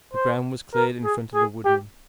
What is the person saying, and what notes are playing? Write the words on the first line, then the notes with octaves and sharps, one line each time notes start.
The ground was cleared in front of the woodmen.
C5
A#4
G#4
G#4
G4